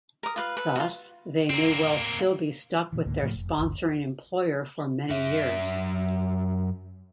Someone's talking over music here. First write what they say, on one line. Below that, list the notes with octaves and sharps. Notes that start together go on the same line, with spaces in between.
Thus, they may well still be stuck with their sponsoring employer for many years.
A#4 D#6
F4 B4 F5
A4 B4
F4 F#4
A#3 C4
A#2 E3
C#2 G#2 D3 A#3
A2 F3 G3 A3
F1
G1 D2
F#2 E5